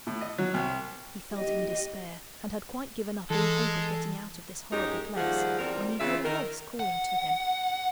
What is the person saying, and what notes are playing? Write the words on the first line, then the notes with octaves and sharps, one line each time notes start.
He felt in despair, and had quite given up all hope of getting out of this horrible place, when he heard a voice calling to him.
A2
D#5
F#3
C2
G4 D#5
E3 G#3 A4
F#2 G#3 D#4 G4
D#2 F3 G3 G#4 F#5
E2 G3 C4 F4 A#4
C#3 E3 F4 E5
D#3 A#4
F#5